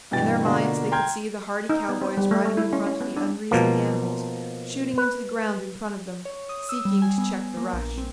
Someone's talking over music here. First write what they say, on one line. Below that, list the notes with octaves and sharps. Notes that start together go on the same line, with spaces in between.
In their minds they could see the hardy cowboys riding in front of the unreasoning animals, shooting into the ground in front of them, seeking to check the rush.
G2 B2 E3 G5 A6
B2 D3 A#3 D4 F4 F#4
G5 A#5 C6 F6 G6 G#6
D#4
B3
C4
G3
A3
A3
E4
C#4
C#4
B3
D4
B2 F3 A#3
B4
C#5
D#6
E6
G3
G#5
B3
A#3
A#1
C4